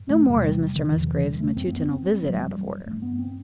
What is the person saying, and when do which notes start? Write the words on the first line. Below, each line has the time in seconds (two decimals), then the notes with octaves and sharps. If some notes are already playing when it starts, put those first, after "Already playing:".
No more is Mr Musgrave's matutinal visit out of order.
Already playing: G2
0.10 A3
0.26 E2 C3 G3
0.42 G3
0.75 D#3
0.91 E2 C3 E3
1.08 E3
1.24 G3
1.40 A3
1.56 F#2 C4
1.67 C4
1.73 B3
1.88 C4
2.05 C4
2.22 G2 G3
2.29 F#3
2.36 G3
2.86 G2 A3
3.02 B3
3.19 C4